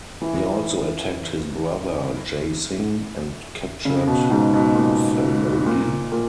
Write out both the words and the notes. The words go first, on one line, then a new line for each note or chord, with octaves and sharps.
He also attacked his brother Jai Singh and captured Phalodi.
E3
C#3
B2
G#2
B2
A#2
A#2
A#2